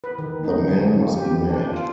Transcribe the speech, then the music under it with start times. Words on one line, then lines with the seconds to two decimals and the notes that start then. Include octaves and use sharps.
The man must be mad!
0.04 B4
0.18 D#3
0.44 D#4
0.58 D3
0.78 F#3
0.95 A#3
1.17 G4
1.30 B3
1.50 D4
1.73 F4